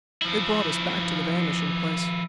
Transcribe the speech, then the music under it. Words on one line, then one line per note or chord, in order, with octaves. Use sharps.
They brought us back to the Vanishing Place.
F3 E4